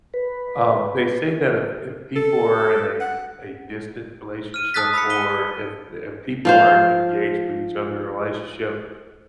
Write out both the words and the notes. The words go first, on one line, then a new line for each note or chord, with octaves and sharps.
Um, they say that if if people are in a a distant relationship, or if the if people aren't engaged with each other in a relationship
B4
A4
F#5
F6 D#7
A5 D#6 E6 F#6 A6 B6
B5 E6 B6 C#7
B6 D#7 G7
F3 F4 C5